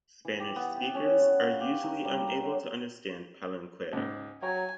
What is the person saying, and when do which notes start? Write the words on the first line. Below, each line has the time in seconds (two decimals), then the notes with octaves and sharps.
Spanish speakers are usually unable to understand Palenquero.
0.25 E3
0.40 G4
0.56 B3
0.76 G5
0.95 C#4
1.21 F#4
1.44 F5
1.60 G4
1.84 A#5
2.05 G3
2.27 A#4
2.43 F#3
3.93 C#2 G#2
4.43 F#3 C#5 G5 G#5 A#5